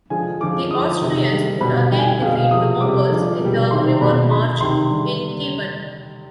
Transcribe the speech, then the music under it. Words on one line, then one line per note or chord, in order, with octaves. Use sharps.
The Austrians would again defeat the Mongols in the River March in Theben.
D3 F3 G#3 G#5
D3 F3 G#3 D6
D3 F3 G#3 D#6
C3 D#3 G#3
D3 G3
B2 G3 B5
D3 G3 G5
G#5
G5
B2 G#3 F5
F5
C3 F3 G#3 D#6
C3 G3 D6
D3 F3 G#3
B2 G3
C3 D#3 G#3 C6
B2 G#3 B5
D3 G#3 B5
C3 D#3 G#3 C6
D3 G3